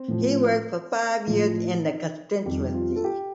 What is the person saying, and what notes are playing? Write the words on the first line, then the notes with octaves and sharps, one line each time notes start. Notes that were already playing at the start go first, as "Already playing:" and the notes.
He worked for five years in the constituency.
Already playing: C4
A2 F3
A2 F3
D#4
F2 D#3 G3 G4
F4
A4
G4